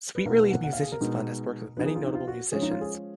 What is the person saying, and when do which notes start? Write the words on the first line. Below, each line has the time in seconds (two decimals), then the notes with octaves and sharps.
Sweet Relief Musicians Fund has worked with many notable musicians.
0.15 B4
0.26 B2 A#3 D#4 A#4
0.38 B4
0.50 F#5
0.64 F#5
0.73 F5
0.82 G#4
0.92 A#4
1.01 B2 G#3 B3 D#4
1.77 F3 B3 D#4 B4
1.86 G#4
1.95 F4
2.06 D#4
2.15 F4
2.28 F#4
2.52 F3 G#3 C#4 G#4
2.62 D#4
2.71 F4
2.81 G#4